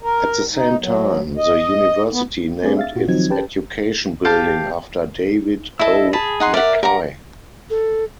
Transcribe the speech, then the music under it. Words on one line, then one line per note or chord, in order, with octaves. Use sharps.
At the same time, the university named its education building after David O. McKay.
A#4
D#4
F#3
D2
D#5
B3
A3 C4 D4 G#4 D5
E5 F5 A6
A#2 F4 F#4
D#3 F3 F#3 C4 D#4 G#6
C#4 G4 B4 G5 A5
G4 F5 A5
E4 A4 D#5 E6
G#4 A5 B5
D#4 F#5 C6
A#4 D5 E5 F#5 F6
G4 A#4 F#5 A#5
A4